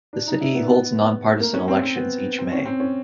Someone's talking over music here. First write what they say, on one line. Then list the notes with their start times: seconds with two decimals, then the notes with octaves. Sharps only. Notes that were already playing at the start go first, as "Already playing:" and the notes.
The city holds nonpartisan elections each May.
0.13 D4
0.27 D#4
0.41 E4
0.55 B3
0.69 B3
1.25 A3
1.40 A#3
1.54 C#4
1.68 C4
1.82 C4
1.96 B3
2.38 C4
2.52 C#4
2.65 C4
2.80 C#4